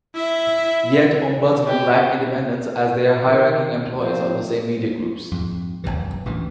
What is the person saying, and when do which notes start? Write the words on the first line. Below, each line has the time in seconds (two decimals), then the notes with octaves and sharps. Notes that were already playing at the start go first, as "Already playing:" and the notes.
Yet, ombudsmen lack independence, as they are high-ranking employees of the same media groups.
0.14 E4 E5
1.65 G4
3.24 D#3
3.99 C3 D#3 F3 C5
5.31 F2 G#2
5.84 F#1 B1 C3 E3
6.26 A1 D2 E3